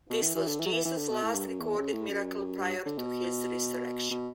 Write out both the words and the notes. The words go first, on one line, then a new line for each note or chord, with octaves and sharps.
This was Jesus' last recorded miracle prior to His resurrection.
B2
E3
E3
D3
E3
F#3
E3
E3
D3
B2
A2
G2
F#2
E2
C#3
A2
F#2
G2
D3
B2
B2